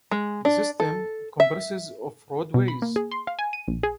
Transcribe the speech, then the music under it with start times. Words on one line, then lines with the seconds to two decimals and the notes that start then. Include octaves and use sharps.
The system comprises of roadways.
0.11 G#3
0.45 D4
0.80 A4
1.40 E5
2.54 B2
2.68 B5
2.82 A#3
2.96 G#4
3.11 C6
3.27 F5
3.39 G#5
3.53 D#7
3.68 A#1
3.83 G#4